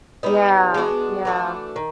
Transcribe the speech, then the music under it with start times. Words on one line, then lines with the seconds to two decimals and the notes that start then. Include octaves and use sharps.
Yeah. Yeah.
0.23 G3 B3 D#4
0.74 G#3 B3 D4 F#4
1.25 E3 A3 D4 F#4
1.76 D#3